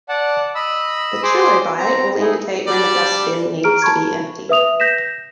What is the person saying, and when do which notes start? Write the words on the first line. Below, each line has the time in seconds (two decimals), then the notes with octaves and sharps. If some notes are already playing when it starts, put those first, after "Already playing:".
The Trilobite will indicate when the dustbin needs to be emptied.
0.09 D5 F#5 A5
0.55 D#5 B5 E6
1.23 G#4 C5 C6 D6
1.79 C4 A#5
2.20 D#4 E4 G#4
2.67 G3 D4 D5
3.64 G#4 A#5 F6 D7
3.82 A5 B5 C#6 G#6
4.49 B4 E5 D#6 F7
4.80 G6 A#6 B6 E7